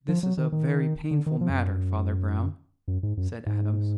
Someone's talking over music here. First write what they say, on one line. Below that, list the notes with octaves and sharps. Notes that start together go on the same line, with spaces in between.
"This is a very painful matter, Father Brown," said Adams.
F3
F#3
D#3
D#3
D3
D#3
F3
F2
F#2
F#2
G#2
F#2
G#2